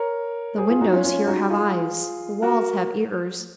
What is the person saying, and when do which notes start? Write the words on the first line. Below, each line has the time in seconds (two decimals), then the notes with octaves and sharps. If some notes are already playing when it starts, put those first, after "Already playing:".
The windows here have eyes, the walls have ears.
Already playing: A#4 C#5
0.58 G#4 C5
0.70 F4 G#4
0.81 D#4 F#4
0.93 C#4 F4
1.04 C#4 F4
1.27 D#4 F#4
1.50 F4 G#4
2.42 F#4 A#4